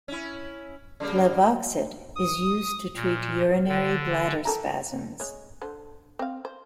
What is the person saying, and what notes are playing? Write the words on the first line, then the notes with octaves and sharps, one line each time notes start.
Flavoxate is used to treat urinary bladder spasms.
C#4 E4
C#3 G3 A#3
D#6
A#2
D3
D#3 A4 A#5
G#3 C#5
D3 C5
C4 F5
C5